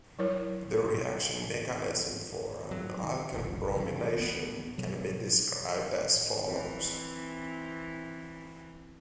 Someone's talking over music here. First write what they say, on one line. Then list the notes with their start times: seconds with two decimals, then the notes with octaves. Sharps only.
The reaction mechanism for an alkene bromination can be described as follows.
0.19 F#3 E4 A#4 C#5
2.71 F#3
3.03 D#3
3.33 F1 B1
3.75 C3 E3
4.19 D2 B3
4.78 B2 F#3
6.43 E3 C4